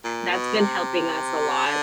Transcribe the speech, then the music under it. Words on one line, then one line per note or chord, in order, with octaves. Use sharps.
that's been helping us a lot.
A#2
B2
C3
D3